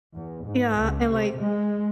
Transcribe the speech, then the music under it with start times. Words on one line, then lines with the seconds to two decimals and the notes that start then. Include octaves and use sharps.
Yeah, and, like,
0.15 E2
0.46 G#2
0.78 C#2
1.11 C3
1.39 G#3